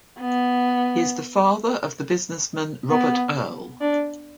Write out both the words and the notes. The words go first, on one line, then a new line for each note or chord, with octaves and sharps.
He is the father of the businessman Robert Earl.
B3
B3
D4